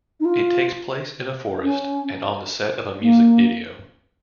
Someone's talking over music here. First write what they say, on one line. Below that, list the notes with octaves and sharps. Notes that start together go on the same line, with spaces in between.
It takes place in a forest and on the set of a music video.
D#4
F4
C#4
A#3